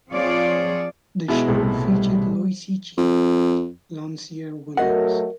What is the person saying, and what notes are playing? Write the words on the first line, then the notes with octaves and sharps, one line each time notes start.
The show featured Lottie Gee, Loncia Williams.
F3 C4 F4 G#4 C#5 D5
B2 G#3 E4
B1 A2 C3
G3
F2
F#3 A3 F#4 A#4 D#5 F#5